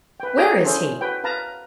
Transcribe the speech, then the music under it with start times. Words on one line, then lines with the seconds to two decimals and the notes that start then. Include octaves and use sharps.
"Where is he?"
0.20 B4 G5
0.37 F#4 G#4 A4 D5 G5 A#5
0.64 C#4 E4 G#4 A4 C5
1.01 F#4 B4 G5
1.24 B4 F5 A5 A#5